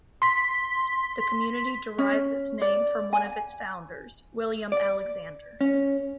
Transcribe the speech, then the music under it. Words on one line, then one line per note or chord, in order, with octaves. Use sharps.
The community derives its name from one of its founders, William Alexander.
C6 B6
C#4
D5
G#5
D5
C#4